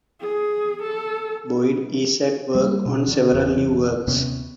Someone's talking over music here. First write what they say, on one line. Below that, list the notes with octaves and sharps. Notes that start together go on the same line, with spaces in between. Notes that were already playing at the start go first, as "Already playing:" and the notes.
Boyd is at work on several new works.
G#4
A4
G3 A#3
B2
D3 C#4
G1 E2 C#3
D#2 C3 B3 C#4